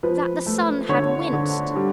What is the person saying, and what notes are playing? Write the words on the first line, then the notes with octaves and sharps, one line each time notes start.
That the sun had winced!
F3 B4
A3
D3 C#5
D3
G3